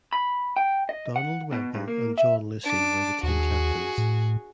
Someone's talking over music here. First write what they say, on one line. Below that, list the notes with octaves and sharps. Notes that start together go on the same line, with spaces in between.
Donald Wemple and John Lucy were the team captains.
B5
G5
D#5
F#5
B2
G2
A#3
E5
D4 D6
D#2 F#4 G#4
A2